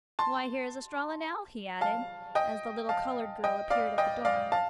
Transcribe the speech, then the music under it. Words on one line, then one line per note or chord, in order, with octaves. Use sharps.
"Why, here is Estralla now," he added, as the little colored girl appeared at the door.
A5 C6
F5 A5
D#5 G5
F5 A5
D#5 G5
D5 F5
D#5 G5
D5 F5
F5 A5